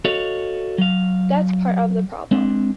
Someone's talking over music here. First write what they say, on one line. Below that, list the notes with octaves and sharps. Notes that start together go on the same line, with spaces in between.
That's part of the problem...
F#4 A4 C#5 D#5 F5
F#3 F5
G#3 C4 D4